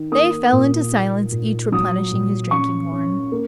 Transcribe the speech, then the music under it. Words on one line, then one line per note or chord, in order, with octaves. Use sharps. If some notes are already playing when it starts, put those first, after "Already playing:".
They fell into silence, each replenishing his drinking-horn.
Already playing: D#3
A#3 D#6
A#2
A#3
A#2
F#3 D#6
A#2
C#4 C#6
C#4
A#3